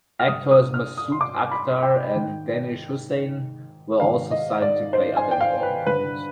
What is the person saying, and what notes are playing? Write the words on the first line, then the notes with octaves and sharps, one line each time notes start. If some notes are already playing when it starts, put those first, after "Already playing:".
Actors Masood Akhtar and Danish Hussain were also signed to play other important roles.
F6
G2 D3 D#6
D#6
F6
D#6
C6
D6
B5
G5
G#2 D#3
G#2 D#3 F5
D#5
D5
C5
G#5
G5
F5
B4
G2 D3 B4